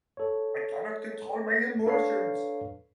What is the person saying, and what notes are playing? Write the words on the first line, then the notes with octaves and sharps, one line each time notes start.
I cannot control my emotions.
A4 C#5
D4 A4 B4 C#5 F5 C7